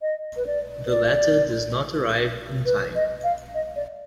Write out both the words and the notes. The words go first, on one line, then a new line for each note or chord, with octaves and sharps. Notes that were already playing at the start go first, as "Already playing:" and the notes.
The letter does not arrive in time.
D#5
B4
D5
B4
D5
B4
D#5
F5
D#5
D5